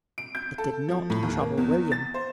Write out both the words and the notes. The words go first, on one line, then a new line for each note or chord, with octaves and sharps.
It did not trouble William.
D7
G6
A4
F3
A2
D#2
A#3
E2
A6
C5